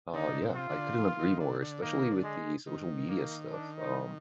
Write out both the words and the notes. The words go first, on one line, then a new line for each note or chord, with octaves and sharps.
Uh, yeah, I couldn't agree more, especially with the social media stuff, um,
D3 D#4
C3
F4
D3
F3
D#3
D3
D3
D#3 A#3
D3
G#3
D#3
A#3
D4
D#4